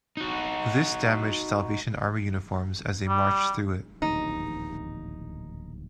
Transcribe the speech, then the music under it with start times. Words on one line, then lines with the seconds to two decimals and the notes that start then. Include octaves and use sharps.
This damaged Salvation Army uniforms as they marched through it.
0.17 D#4 F#4
3.08 G3
4.02 D1 A#1 D#2 D#4